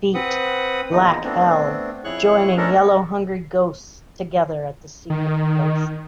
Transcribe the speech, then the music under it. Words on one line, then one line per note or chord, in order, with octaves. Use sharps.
Feet: black-hell, joining yellow-hungry-ghosts together at the secret place.
C4 B4 F#5 D#6
E2 A#2 D#4
A3 B3 C4 D4
F2 E4 G#4 C#5 C#6 F#6
G#3 A3 C#4 D4 A4 A#4
D#3